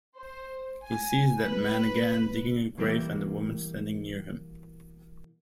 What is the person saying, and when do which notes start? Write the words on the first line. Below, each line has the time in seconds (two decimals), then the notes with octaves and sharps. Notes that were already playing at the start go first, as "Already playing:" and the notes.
He sees that man again, digging a grave and a woman standing near him.
0.16 C5
0.85 G#5
1.41 B4
2.78 B2 E3 G3 A#3 E4